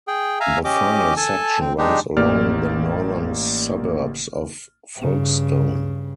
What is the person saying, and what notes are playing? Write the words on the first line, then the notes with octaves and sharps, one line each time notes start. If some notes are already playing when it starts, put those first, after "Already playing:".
The final section runs along the northern suburbs of Folkestone.
G#4 G5
E5 F5 G#5 A#5
C#4 G4 D#5 D6
A4 G#5 A5
C4
G#3 D4 D#4 G4
A1 A#3 G4 D5 F6
G2 C#3